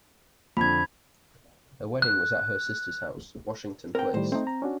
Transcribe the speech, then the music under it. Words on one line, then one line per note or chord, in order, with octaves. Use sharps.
The wedding was at her sister's house, Washington Place.
F2 D3 B5 G#6
F#6
C4 A#4 G5
A2 D#3 G3 C5
A3 C4 D#4
A#5
C#4 D4 F#4